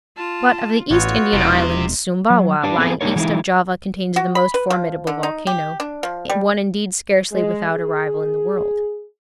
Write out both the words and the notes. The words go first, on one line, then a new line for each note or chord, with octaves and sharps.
But of the East Indian Islands Sumbawa, lying east of Java, contains the most formidable volcano--one indeed scarcely without a rival in the world.
F4 A5
A1 B3 F4 F#4 C#5
E1 C3 E4 D#5
F#3
D4 G4 B4 D5 A5
B3 C4 G#4 A4 B4
A#3 D4 D#4 A#4 C#5
E3 G#3 A3 C4 D#4 E4
F#4
B5
B4
F3
D3
D#4
G4
D4
F3
G3
G#3
G#4